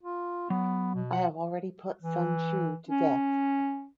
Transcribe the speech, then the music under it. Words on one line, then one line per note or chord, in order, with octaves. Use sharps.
I have already put Sun Xiu to death.
F4
F#3 B3
B2
F#5
E3
C#4